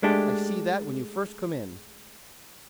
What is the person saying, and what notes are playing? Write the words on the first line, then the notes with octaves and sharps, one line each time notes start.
I see that when you first come in.
G#3 A3 D4 G4